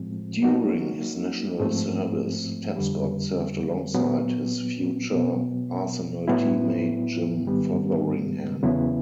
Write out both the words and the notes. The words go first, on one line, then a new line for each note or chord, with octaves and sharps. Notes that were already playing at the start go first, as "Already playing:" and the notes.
During his national service, Tapscott served alongside his future Arsenal team mate Jim Fotheringham.
Already playing: A2 F3 G#3 C4
F#3 A#3 D#4 F#4
G#2 F3 A3 C4
F2 D3 G3
A#2 F#3 B3
B2 F#3 B3
A2 F#3 B3 E4
G#2 D#3 G3 B3
E2 C#3 F#3 B3 E4